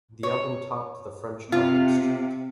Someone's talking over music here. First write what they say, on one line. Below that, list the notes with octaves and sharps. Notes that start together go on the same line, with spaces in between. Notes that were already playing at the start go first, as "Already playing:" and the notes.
The album topped the French Albums Chart.
C#5
C3 F4